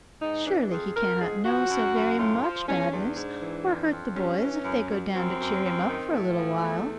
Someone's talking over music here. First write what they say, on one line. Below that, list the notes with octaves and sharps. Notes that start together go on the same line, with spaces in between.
"Surely he cannot know so very much badness or hurt the boys if they go down to cheer him up for a little while."
G#2 D#4
E3 D4
F2 G#4
F2 A#4
G#2 G#4
F3 F#4
F#2
F#2
A2 F4
F3
E2 C#4
E2 D4
G#2
E3
F2
F2
G2 C#4
E3
F#2
F#2
F#2 C4
F#2
F#2
D#3
A2 A3
F3
E2